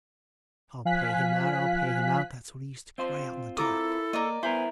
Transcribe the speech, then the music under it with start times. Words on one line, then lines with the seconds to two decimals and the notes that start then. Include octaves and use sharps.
'I'll pay him out, I'll pay him out!' That's what I used to cry out in the dark.
0.85 F3 F5 G#5 F#6 B6
2.98 C4 F4 C5
3.57 E4 A4 A#4 D6 D#6
4.13 A#3 A#4 D5 D#5
4.43 B3 E4 A#4 C5 G#5